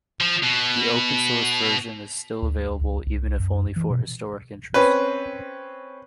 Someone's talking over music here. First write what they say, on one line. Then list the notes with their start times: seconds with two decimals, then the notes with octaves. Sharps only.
The Open Source version is still available, even if only for historic interest.
0.21 F3
0.43 B2
2.42 D2
2.81 C#2
3.07 C2
3.40 F#2
3.76 E3
3.90 B2
4.74 C4 C#4 B4